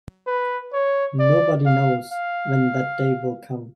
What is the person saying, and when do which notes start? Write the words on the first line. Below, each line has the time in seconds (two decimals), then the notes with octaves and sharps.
Nobody knows when that day will come.
0.27 B4
0.73 C#5
1.19 D5
1.66 F5
2.12 F5